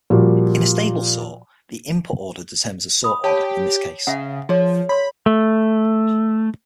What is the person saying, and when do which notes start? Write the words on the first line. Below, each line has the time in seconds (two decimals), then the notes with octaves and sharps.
In a stable sort, the input order determines the sorted order in this case.
0.10 A#2 F3 G3 F#4
3.04 B5 D#6
3.24 G4 C#5 A5
4.07 C#3 E5 F#5
4.49 F3 G#4 C#5
4.89 C#5 B5 C6
5.26 A3